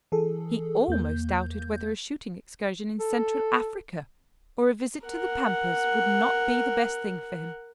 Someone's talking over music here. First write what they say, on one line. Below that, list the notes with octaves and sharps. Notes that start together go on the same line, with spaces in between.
He almost doubted whether a shooting excursion in Central Africa or a visit to the Pampas would not be the best thing for him.
E3 G#4 A4
E2 A#3 G6
A4
A#4 F#5